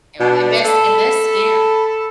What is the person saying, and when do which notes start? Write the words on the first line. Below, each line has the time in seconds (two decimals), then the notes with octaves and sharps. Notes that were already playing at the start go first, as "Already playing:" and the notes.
and when that's and that's scary.
0.20 B2 D4
0.65 A4 B5